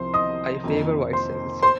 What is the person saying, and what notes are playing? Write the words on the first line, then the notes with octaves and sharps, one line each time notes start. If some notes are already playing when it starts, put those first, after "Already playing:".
I favor white sails.
Already playing: C2 C3 F3 C5 C6
D#5 D#6
F2 D#3 A#3 D#4
C5 C6
C5 C6